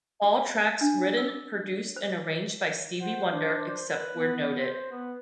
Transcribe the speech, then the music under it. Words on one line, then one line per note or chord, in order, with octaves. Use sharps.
All tracks written, produced and arranged by Stevie Wonder, except where noted.
G4
D4
E6
C5
C5 F#5
D4
A#4 B4
B3
C5
B3 B4